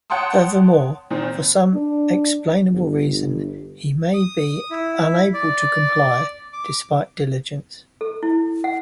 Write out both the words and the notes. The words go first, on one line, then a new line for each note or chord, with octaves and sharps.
Furthermore, for some explainable reason, he may be unable to comply, despite diligence.
C#5 F#5 G5 A5 C6 D#6
A#2 D#3 C4
D4
G1
D#6
E4
D5
D6
A4
E4
F#5